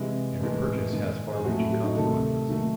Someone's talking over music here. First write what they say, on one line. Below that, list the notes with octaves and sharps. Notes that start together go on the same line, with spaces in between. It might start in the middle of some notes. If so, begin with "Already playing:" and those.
Every purchase has far-reaching consequences.
Already playing: C3 E3 G#3 E4
A2 E3 G#3
D#3 G#3
G#4
A2 F#3 A3 F#4
E4
F#4
D#4
C3 D#3 A3 A4
D#3 F#3 A3